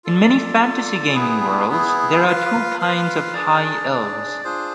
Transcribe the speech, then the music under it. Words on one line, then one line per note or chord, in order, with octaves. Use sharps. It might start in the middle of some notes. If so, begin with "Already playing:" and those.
In many fantasy gaming worlds, there are two kinds of high elves.
F4 A4 D5
F4 A4 D5
B3 E4 G#4
B3 E4 G#4
F4 B4 F5
F4 B4 F5
D4 G#4 D5
D4 G#4 D5
D4 F4 G#4 C5